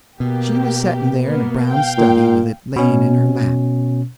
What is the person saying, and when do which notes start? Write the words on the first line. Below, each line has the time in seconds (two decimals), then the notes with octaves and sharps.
She was setting there in a brown study, with it laying in her lap.
0.20 B2 A#3 G4
1.23 A#3 B3
1.68 F5 G5
1.98 A#2
2.76 B2 C#4